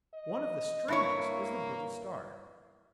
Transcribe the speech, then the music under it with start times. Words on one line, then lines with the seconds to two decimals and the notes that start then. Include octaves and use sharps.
One of the strangest is the Brittle Star.
0.14 D#5
0.88 G2 A#3 E4 C#5